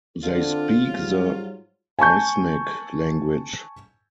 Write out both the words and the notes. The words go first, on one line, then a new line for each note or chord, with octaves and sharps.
They speak the Isneg language.
D3 C4 D4 F4
G#2 F#3 G3
G#5 A5 C#6 G6